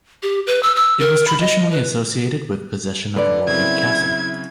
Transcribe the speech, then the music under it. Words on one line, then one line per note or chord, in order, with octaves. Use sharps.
It was traditionally associated with possession of Warwick Castle.
G4
B4
E6
E6
A#4
B5
D#5
B4
D3 B4 D5
C#3 F#3 C4 E4 G#6